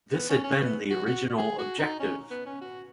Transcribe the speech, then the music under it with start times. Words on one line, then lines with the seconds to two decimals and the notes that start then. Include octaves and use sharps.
This had been the original objective.
0.13 B3
0.29 C#4
0.44 C#4
0.60 B3
0.91 F#4
1.06 F#4
1.38 G#4
1.59 F#4
1.79 D#4
2.00 C#4
2.31 B3
2.46 C#4
2.61 F#4